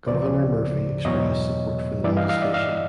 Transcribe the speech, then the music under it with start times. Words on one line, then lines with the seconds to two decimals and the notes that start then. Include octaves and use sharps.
Governor Murphy expressed support for the legislation.
0.07 D2 C#3 F3 C5 D5
1.05 E2 B2 F#3 C#5 D#5
2.04 E3 D5 E5
2.07 G2
2.17 D#5 F5
2.29 D#5 F5
2.41 D5 E5
2.54 D#5 F5